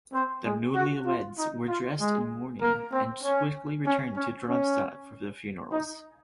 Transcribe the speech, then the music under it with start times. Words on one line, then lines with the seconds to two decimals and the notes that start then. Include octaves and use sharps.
The newlyweds were dressed in mourning and swiftly returned to Darmstadt for the funerals.
0.12 C4 C5
0.44 G#3 G#4
0.74 F#4
1.06 F4
1.37 D#4
1.67 F4
1.99 G#3 G#4
2.61 A#3 A#4
2.92 C4
3.23 C#4
3.85 C#4
4.16 C#4
4.48 C#4
5.72 D#4